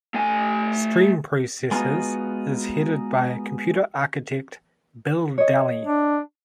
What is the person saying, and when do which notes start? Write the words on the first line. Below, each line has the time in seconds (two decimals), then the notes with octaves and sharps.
Stream Processors is headed by computer architect Bill Dally.
0.14 A3 G#5
1.71 G#3 B3 D#4 F4 F#4
5.38 C#5 D#5
5.83 D4